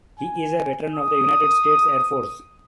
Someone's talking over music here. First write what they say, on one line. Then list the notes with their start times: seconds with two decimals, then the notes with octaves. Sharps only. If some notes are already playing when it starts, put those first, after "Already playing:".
He is a veteran of the United States Air Force.
0.20 G#5
0.95 D#6